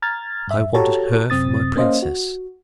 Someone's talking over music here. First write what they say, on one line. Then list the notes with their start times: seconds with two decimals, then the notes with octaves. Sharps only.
I wanted her for my princess.
0.02 A#5 F6 G#6 A6
0.48 G2 E5
0.74 F#4 G4 A4 C#5 A5 A#5
1.30 F#2 C3 C4 D#6 A6
1.76 A#3 C#4 C5 D#5 F5
2.02 F#4